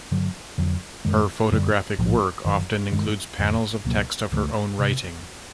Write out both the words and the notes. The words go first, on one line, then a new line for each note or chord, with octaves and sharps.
Her photographic work often includes panels of text of her own writing.
G2 D3 F#3
F2 D3 F#3
F#2 D#3 G#3
F#2 D3 G3
B1 A2 F3
F#1 F#2 D#3
G2 D#3 G#3
F1 F2 D3
C#2 B2 F#3 A#3
D2 D3 F#3 A3
C3